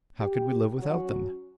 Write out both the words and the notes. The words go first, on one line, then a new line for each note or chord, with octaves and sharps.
How could we live without them?
G4
F#3 C#4 F#4